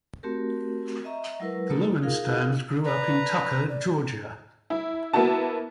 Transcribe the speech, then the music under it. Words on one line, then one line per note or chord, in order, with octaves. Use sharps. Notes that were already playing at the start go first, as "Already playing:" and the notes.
The Lowensteins grew up in Tucker, Georgia.
A3 C4 F#4 G4 A#4
D#5 E5 A#5 C#6
F#3 G#3 E4 A#4 B4
A3 A#3 D#4 A4
D#4 F4 G#4 A#4 F5
B4 D5 A#5
D5
E4
A#3 B3 E4 F#4 A5